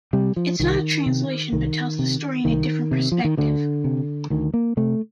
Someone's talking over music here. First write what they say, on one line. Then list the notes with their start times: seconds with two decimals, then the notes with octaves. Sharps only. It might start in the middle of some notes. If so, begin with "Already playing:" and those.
It's not a translation but tells the story in a different perspective.
0.13 C3 G3
0.36 F3
0.60 C2 D#3
1.06 C3
1.52 C2 D#3
1.99 C3
2.45 C2 D#3
2.91 C3
3.12 F3
3.24 D#3
3.37 D2 D3
3.84 C3
4.30 D2 D#3
4.54 A#3
4.77 C3 A3